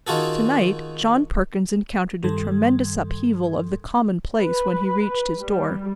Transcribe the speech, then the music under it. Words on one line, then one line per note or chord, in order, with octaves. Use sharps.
To-night John Perkins encountered a tremendous upheaval of the commonplace when he reached his door.
D#3 F4 F#4 G#4 A4
G2 D#3 G3 A4 C6 G#6
B4
G3